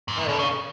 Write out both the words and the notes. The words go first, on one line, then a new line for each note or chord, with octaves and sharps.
Oh, yeah.
G#2
A#2
B2
C#3